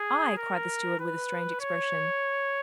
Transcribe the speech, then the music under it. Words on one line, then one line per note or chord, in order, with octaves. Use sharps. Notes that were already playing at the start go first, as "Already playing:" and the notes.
"I," cried the steward with a strange expression.
Already playing: G#4
A#4
B4
C#5